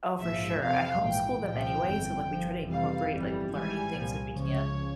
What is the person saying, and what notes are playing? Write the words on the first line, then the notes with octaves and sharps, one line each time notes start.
Oh, for sure. I homeschool them anyway, so, like, we try to incorporate, like, learning things when we can,
A#1 G#2 F3 E5
F2 C3 F3 F5
A#1 G#2 E3 G5
C2 A#2 F3 G5
G1 F2 E3
G1 G2 F3
F2 C3 E3 G3 F5
G1 F2 E3 G3
G#1 G#2 E3 G3 G#5
C2 A#2 F3
C#2 C#3 F3 C#5